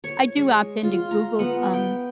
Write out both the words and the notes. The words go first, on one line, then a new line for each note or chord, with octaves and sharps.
I do opt into Google's, um,
C#5
G#3
F4
A#5
B3
G5